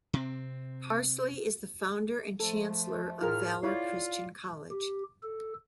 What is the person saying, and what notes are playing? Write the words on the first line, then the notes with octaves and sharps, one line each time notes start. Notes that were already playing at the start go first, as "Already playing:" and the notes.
Parsley is the founder and chancellor of Valor Christian College.
C3 C4
F3 A3 A4
A2 F4 G#4 A#4 F6
E4 F4 C#5 D5 F5 B5
G4
A4